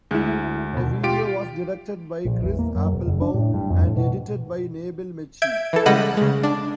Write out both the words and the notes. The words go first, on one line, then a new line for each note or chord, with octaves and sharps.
The video was directed by Chris Applebaum and edited by Nabil Mechi.
D2 G#3 E4
D#2 B2
F4 G4 D7
A#1
E2
A#3
F#2
E1
F#1
D4
A2
G2
F2
A2
B2
E5 G6 G#6 D7
E3 A4
C#3 G3 G#3 D#5 F#5 B5
C#3 G#3
D4